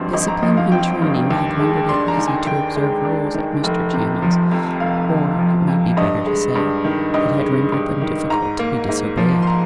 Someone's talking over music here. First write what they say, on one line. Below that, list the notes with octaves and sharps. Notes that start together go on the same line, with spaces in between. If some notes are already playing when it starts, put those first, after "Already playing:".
Discipline and training had rendered it easy to observe rules at Mr. Channing's; or, it may be better to say, it had rendered them difficult to be disobeyed.
Already playing: G#1 G2 F3 C4 C5
G#1 D#5
A#5
F3 D#5
F5
C4 G5
G2
D#2
G#3
D4 C6
A#5
D#3
G#5
D#2 G5
G#3
D4
D#3
F1
C3
F3
F2
F1 F5
C3
F3
F2
G2 D#5
G#3
G2
D#3
G2 D#5
G#3
G2
D#3
G#2 A#5
A#3
G#2
F3
C6
A#5